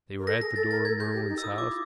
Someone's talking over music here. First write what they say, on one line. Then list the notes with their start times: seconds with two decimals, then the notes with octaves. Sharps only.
They were at the door of Merwin's house.
0.19 A#4
0.27 A4 A#6
0.41 G#4 A#6
0.56 A4 A6
0.70 A#4 A6
0.85 A4 G#6
1.00 G#4 G6
1.15 G4
1.29 D#4
1.38 E6
1.43 E4 D#6
1.58 F4 D6
1.69 E4